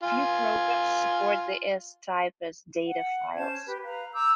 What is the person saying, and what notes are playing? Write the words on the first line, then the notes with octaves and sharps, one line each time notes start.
A few programs support the "S" type as data files.
F4 G#5
F#5
C#4 C5 A5 G#6
G4 B4
B4 F5 A#5
A#5 D6 E6 G6